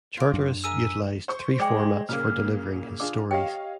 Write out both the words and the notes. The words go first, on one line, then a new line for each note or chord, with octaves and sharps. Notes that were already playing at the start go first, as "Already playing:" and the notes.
Charteris utilized three formats for delivering his stories.
F4 D6
F#2 F#3 D4
G#4 A#4 E5 E6 D#7
C5 C#6
G#3 D5 G5 D6
A#2 C#3 A#3 F6
D4 F4 G#4 D6
G4 C#5 D#5 F5 G5